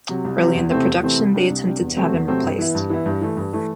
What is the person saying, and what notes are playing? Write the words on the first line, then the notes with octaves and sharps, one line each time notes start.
Early in the production, they attempted to have him replaced.
C3 F#3
C2
C3 F#3
E2
C3 E3 A3 C4
E2
C3 E3 A3 C4
C2
C3 G3 D4
C2
C3 G3 D4
E2
C3 F#3 A3 C4
E2
C3 F#3 A3 C4
G2
E3 B3 E4
G2
E3 B3 E4
G2
E3 A3
G2
E3 A3